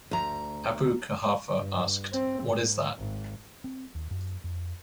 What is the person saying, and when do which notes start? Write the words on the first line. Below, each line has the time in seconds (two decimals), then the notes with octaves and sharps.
Abu Quhafa asked, What is that?
0.11 D2 A#5
1.53 G2
2.12 C4
2.42 G#2
2.95 G#1
3.64 C4
3.95 D#2
4.11 F#2
4.44 F2